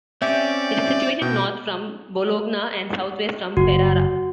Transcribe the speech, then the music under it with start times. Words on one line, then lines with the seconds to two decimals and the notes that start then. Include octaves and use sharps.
It is situated north from Bologna, and southwest from Ferrara.
0.22 C4 C#4 G4 D5 E5
1.22 B2 G5
3.57 F#1 F#4